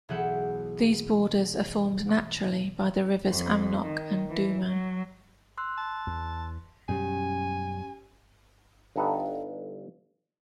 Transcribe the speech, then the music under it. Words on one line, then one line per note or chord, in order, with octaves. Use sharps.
These borders are formed naturally by the rivers Amnok and Duman.
B1 E3 G#4 E5 F#5 G6
F2
D#3
E3
F#3
C6 E6 F#6
A5
E2
F#2 B2 G3 C#4 G4 G#5
G1 G2 D#4 A4 B4 F#5